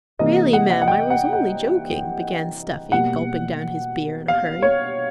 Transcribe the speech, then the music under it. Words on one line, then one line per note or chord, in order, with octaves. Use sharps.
'Really, ma'am, I was only joking,' began Stuffy, gulping down his beer in a hurry.
C3 E3 G3 A#3 D#5
F#5
F#5
F#5
G5
F#5
F#5
B2 G3 A#3 F#5
F5
C#5